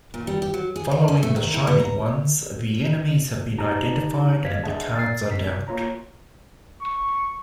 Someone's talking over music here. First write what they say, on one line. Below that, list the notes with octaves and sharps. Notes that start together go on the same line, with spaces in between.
Following "The Shining Ones", the enemies have been identified, and the cards are dealt.
A#2
G3
G4
F#3
G#4
C5
C#4
A3
D#3
E4
B3
A#5
D#4 G4 A5 A#5
F#2 F5 G#6 B6
D4 G#4 D#5 E5 F#5 A5
A6 C7
G2 C3 D4 B6
A#3 F4 C#5 A#5
C#6